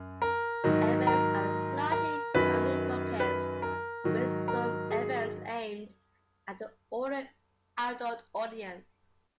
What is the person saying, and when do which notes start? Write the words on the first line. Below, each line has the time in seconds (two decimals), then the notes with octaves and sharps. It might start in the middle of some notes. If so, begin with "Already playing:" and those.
Events are largely family-focussed, with some events aimed at an older adult audience.
Already playing: F#2
0.22 A#4
0.64 G#2 D#3 F#3
1.07 A#4
1.92 A#4
2.34 F#2 D#3 F#3 B4
3.20 B4
3.62 A#4
4.04 G#2 D#3 F#3
4.48 A#4
4.90 G#4